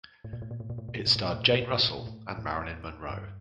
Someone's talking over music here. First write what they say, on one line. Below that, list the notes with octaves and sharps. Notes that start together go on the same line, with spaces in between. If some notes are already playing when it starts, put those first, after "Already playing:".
It starred Jane Russell and Marilyn Monroe.
A2
A#2
A2
A#2
A2
A#2
A2
A#2
A2
A#2
A2
A#2
A2
A#2
A2
A#2
A2
A#2
A2
A#2
A2
A2
G2